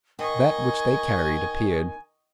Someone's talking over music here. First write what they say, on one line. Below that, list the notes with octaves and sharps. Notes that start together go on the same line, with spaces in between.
That which they carried appeared.
D#3 D#5 G#5 C#6